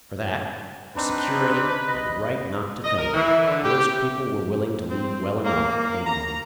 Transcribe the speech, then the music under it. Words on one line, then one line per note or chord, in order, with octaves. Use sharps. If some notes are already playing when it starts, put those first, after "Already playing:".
For that, for security and the right not to think, most people were willing to leave well enough alone.
C4 D4 D#4 B4
D#5
D#5
A#4
E3
D3
G4
C4
A#3
A#5